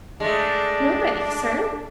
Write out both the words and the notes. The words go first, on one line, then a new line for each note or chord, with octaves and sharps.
"Nobody, sir."
G#3 A3 D4